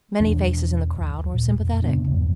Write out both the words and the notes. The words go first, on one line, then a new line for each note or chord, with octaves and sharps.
Many faces in the crowd were sympathetic.
E2 B2 E3 D4
E1 D#2
A#2
F2
C#3 A#3 B3 D4
E2 G2 C3 F3